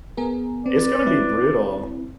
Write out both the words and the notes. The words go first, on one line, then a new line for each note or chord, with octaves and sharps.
It's gonna be brutal.
B3 G#4 A#4
C4 B4 D5
C4 E4